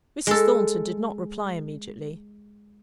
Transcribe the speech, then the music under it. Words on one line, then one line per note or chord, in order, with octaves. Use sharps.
Mrs. Thornton did not reply immediately.
G#3 A4